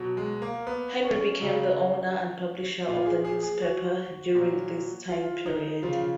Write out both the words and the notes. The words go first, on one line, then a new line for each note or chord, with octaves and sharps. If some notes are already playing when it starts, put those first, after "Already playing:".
Henry became the owner and publisher of the newspaper during this time period.
Already playing: B2 F#3
G#3
A#3
B3
C#4
C#3 F#3
A#2 F3 F4
G#4
G#4
G#4
F#4
A#2 F#3
F4
D#4
C#3 F3 F4